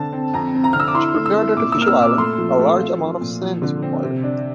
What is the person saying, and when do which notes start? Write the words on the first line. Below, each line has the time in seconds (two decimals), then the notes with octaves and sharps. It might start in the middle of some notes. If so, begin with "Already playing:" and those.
To prepare the artificial island, a large amount of sand is required.
Already playing: D3 C4 A5
0.13 C4
0.33 F2 A#5
0.54 C4
0.64 A#5
0.73 D3 F6
0.80 E6
0.88 D6
0.95 E4 C6
1.16 A3
1.26 E6
1.36 E4
1.56 A#2 D6
1.72 E6
1.77 A#3 F6
1.88 E6
1.98 A#2 D6
2.18 A3 C6
2.38 F3
2.59 A3
2.80 F4
3.00 F3
3.21 A#2
3.41 F3
3.62 D3
3.82 C4
4.03 C3
4.23 D4